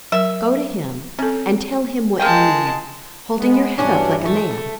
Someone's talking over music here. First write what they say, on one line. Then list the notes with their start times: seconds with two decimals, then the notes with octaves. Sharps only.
Go to him, and tell him what you mean,--holding your head up like a man.
0.12 F#3 A#4 E5
1.19 C4 C#4 A4
2.19 G#3 A#3 D#5 G5 A5
3.39 G#3 B3
3.78 G2 E3 F#3 C#4 D4
4.25 A3